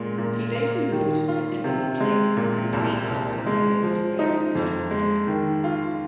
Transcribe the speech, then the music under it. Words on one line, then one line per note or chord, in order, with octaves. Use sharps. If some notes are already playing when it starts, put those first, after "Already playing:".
He later moved to Emily Place and leased Cotele to various tenants.
Already playing: A#2 G#3
A#2
A#3
D#3
F4
C3
G#3
A#2
C2
C2
G#3
F3
D#4
F2
G#3
D#3
F4